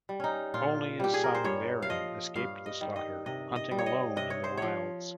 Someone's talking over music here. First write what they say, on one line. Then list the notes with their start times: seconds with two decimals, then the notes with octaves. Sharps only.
Only his son Beren escaped the slaughter, hunting alone in the wilds.
0.09 G3
0.20 C#4 D#4
0.54 A#2 F4
1.00 G3 G4
1.14 G#4
1.24 A#4
1.35 C5
1.44 G2 C#5
1.82 F5
1.90 F3 D#5
2.35 G2 F5
2.66 D#5
2.81 D#3 G3
2.96 D#5
3.26 C3 D#5
3.56 D#5
3.71 G3
3.78 C#5
3.86 D#5
4.16 C3 D#5
4.30 C#5
4.44 C5
4.57 F3 C#5